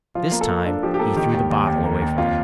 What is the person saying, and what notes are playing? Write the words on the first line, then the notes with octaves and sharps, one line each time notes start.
This time he threw the bottle away from it.
F3 F4
A#3
A4
A#3
D4 A4
F3 G4
G4
A#3 A4
D#3 G4
D#2
D#2
D#2
A#3
D#2
F2 F4